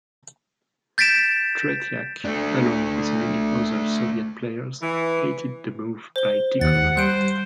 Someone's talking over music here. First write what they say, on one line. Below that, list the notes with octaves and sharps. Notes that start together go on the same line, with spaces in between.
Tretiak, along with many other Soviet players, hated the move by Tikhonov.
G6 A6 B6 D7 E7
A3 D4
E3
C5 G7
D#2 F#5 A6
G3 C5 F#6 D7